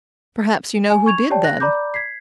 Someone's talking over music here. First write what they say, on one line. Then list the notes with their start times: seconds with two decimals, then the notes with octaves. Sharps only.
"Perhaps you know who did, then?"
0.90 G#5
1.06 C#6 G#6 F7
1.30 G4 C#5 D5 G5 A5
1.44 F#6 A#6
1.60 D5 A#5 B5 D6 G6
1.94 G#6 B6 C7